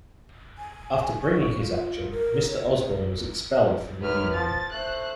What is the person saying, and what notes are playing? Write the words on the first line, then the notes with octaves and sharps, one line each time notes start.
After bringing his action, Mr Osborne was expelled from the union.
G#5
C#6
F4
A#4
C#5
F#2 B4 F6
F3 A6
A3 C5 F#6